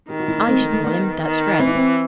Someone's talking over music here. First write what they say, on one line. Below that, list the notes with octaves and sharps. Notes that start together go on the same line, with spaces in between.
"I should call him Dutch Fred."
D#3 G4
F#4
E4
D#4
C4
A3
A3
B3
D#3
E3 C4
D#4
C4